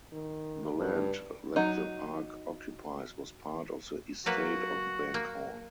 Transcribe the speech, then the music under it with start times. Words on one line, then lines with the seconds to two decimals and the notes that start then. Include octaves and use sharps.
The land that the park occupies was part of the estate of Bank Hall.
0.12 D#3
0.77 G2
1.56 F#3 D#4
4.26 F#3 A#3 F#4 B4
5.14 A#3